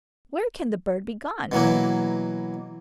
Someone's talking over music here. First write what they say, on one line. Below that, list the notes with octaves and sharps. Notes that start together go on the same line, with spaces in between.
Where can the bird be gone?
B2 E3 F#3 A#3